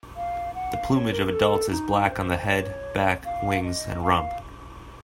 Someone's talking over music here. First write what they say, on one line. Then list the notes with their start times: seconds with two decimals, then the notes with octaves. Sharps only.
The plumage of adults is black on the head, back, wings and rump.
0.16 F5
0.54 F#5
0.74 F5
0.94 C#5
1.12 A#4
1.32 A4
1.71 D#4
2.09 C5
2.47 C#5
3.25 F5
3.64 D#5
4.02 F5
4.10 D#5
4.18 F5